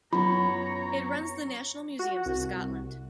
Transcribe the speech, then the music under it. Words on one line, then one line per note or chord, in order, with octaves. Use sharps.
It runs the national museums of Scotland.
F#2 B3 F4 C#5 A#5
F#4
C2